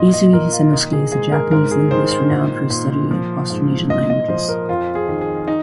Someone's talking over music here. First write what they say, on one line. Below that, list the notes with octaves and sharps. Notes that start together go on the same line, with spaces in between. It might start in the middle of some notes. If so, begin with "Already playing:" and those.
Izui Hisanosuke is a Japanese linguist renowned for his studies of Austronesian languages.
Already playing: A#2 D#5
D#5
A#2 A#4
F4
D#3 D#4
G#4
G#2 G#4
A#4
G#2 A#4
G#4
D#3 C5
C5
A#2
A#2
F3
G#2
A#2 D#5
D#5
F3 C5
A#4
F2 F4
G#4
D#3
G#4
D#4